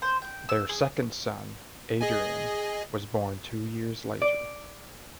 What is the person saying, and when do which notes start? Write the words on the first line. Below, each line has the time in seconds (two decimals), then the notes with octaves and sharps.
Their second son, Adrian, was born two years later.
0.02 C5
0.22 G5
0.49 E6
0.69 G#4
2.01 G#4 D#5 G#5
4.22 D5